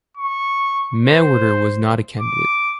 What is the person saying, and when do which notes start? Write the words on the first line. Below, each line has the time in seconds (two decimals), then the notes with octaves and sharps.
Mewhirter was not a candidate.
0.17 C#6
1.05 C5
2.21 D6